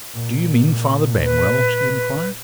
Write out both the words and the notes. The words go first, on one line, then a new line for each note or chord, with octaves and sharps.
"Do you mean Father Benwell?" she inquired.
A#2
B4